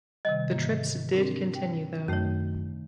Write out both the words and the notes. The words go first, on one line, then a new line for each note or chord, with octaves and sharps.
The trips did continue though.
C3 D#3 G3 D#5
G#2 E3 A#3
C4 D4 A#4
G5
F#2 D#3 A3 C#4 D#4 C#5